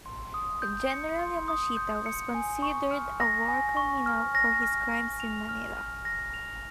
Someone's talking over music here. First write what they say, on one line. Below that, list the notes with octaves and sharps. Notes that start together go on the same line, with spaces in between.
General Yamashita was considered a war criminal for his crimes in Manila.
C6
D#6
G6
C#7
C6
D#6
G6
C#7
G#5
C#6
F6
A#6
G#5
C#6
F6
A#6
F6
A#6
F7
F6
F6
A#6
F7